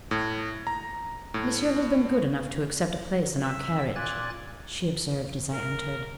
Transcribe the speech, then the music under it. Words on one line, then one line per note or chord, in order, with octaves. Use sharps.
'Monsieur has been good enough to accept a place in our carriage,' she observed, as I entered.
A2
A#5
A2
E5 E6
A#2 D5 G#5 F#6 A6
A#4